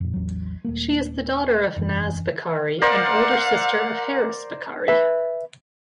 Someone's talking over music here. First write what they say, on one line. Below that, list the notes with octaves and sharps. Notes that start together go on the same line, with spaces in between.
She is the daughter of Naz Bokhari and older sister of Harris Bokhari.
F2 A#2
A1 E2 F#3
D#1 A3 A#3
E1 F#2 E3 D4
A#4 C5 D5 F5 F#5
B4 E5